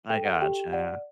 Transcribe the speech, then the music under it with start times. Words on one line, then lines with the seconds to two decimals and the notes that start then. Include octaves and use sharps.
I gotcha.
0.10 A4 G5
0.25 F#5
0.41 G4 G5
0.73 D5 F#5